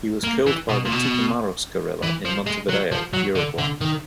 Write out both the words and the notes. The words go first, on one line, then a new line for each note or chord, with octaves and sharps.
He was killed by the Tupamaros guerrilla in Montevideo, Uruguay.
A#3
E3
B2
A#2
B2
E3
F3
G#3
F#3
F3
F#3
D3
D3
D#3